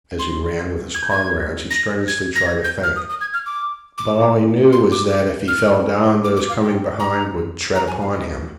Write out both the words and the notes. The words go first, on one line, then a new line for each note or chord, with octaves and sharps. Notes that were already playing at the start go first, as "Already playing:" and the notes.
As he ran with his comrades he strenuously tried to think, but all he knew was that if he fell down those coming behind would tread upon him.
C6
G#6
G6
G#6
A#6
G#6
A#6
G#6
G6
F6
D#6
D#6
G#6
F6
D6
D6
C6
D6
F6
D6
D6
F5
G5
A#5
A#5
G#5
F5
D#5